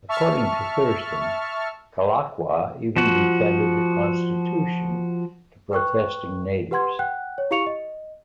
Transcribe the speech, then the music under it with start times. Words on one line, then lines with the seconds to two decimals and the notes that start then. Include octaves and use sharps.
According to Thurston, Kalakaua even defended the constitution to protesting natives.
0.08 E5 A5 C#6 F6
2.96 F3 F#4
5.72 B4 G5 C#6 F#6
6.71 G4 B4 F#5 C6 G#6
6.99 F#5 G5 F#6
7.38 C#5
7.51 E4 G4 F5 C#6 C#7 F7
7.66 D#5